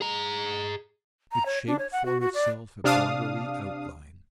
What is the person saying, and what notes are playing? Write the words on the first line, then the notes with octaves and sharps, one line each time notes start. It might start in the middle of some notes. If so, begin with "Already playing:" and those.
It shaped for itself a bodily outline.
G#4 A#5
A#5
C#5
D4
C#5
F#5
F#4
F#4
D5
C3 D4 F5 D#6